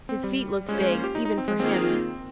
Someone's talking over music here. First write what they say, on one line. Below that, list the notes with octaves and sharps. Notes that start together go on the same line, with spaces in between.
His feet looked big, even for him.
C4
G3
G#3 C#4 F4 C5
G#3
A#3
G4
D#4
D#4
C4
G#3
D#3 A#3 C4 F4 G#4